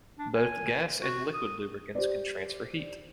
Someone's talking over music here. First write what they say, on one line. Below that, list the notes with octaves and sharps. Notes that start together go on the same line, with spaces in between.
Both gas and liquid lubricants can transfer heat.
D4
G#5
F#4
D#6
G4 C5 D5